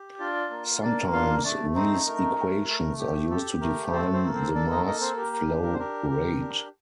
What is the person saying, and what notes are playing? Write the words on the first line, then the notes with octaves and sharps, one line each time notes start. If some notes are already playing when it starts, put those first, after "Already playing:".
Sometimes these equations are used to define the mass flow rate.
Already playing: G4
D4 F4 D5
A#3
A#3 D4 D5
D4 F4 F5
A3 D4 D5
C4 D#4 C5
A3 A#4
A3
A3
G4
G4 A4
A3 A#4
C4 A4 C5
C4 C5
A#3
C4 C5
D4 A4 D5
D#4 D#5
A#3 D#4 D#5
C4 C5
G4 A#4
A#4
D4
A#4
C5
G4 A#4
G4
D4